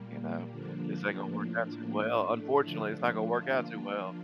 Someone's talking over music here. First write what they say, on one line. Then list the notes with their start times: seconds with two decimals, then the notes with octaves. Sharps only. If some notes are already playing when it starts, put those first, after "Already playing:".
you know, this ain't gonna work out too well. Unfortunately, it's not gonna work out too well."
Already playing: A#2 G3 A#3
0.51 D3 F3 A#3 D4
1.22 A2 F3 A#3 D4
1.92 A2 A3 D4
2.63 D3 F3 A3 D4
3.34 F3 A#3 D4 F4